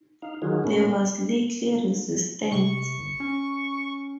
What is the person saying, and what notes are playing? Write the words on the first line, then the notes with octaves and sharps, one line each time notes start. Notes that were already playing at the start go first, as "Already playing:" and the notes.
There was little resistance.
D#4 F5
D#3 F#3 D#4 F4 F#4 G#4
A#2 G#3 A3 B3 C#4
C3 C#6
G1
C#4